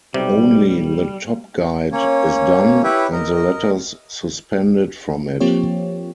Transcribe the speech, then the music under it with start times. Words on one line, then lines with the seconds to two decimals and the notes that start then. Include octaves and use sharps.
Only the top guide is done and the letters suspended from it.
0.14 B1 C3 G3 G4
1.92 A#3 C#4 C#5
2.83 E4 G4 B4 C#5 E5
3.12 A#4 D#5
5.40 F3 A#3 C4 F4 G4 C#5